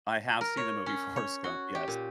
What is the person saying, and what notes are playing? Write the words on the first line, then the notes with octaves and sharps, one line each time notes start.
I have seen the movie Forrest Gump. Yes.
A#4
C#5
C#4
C#5
F#4
G4
A#2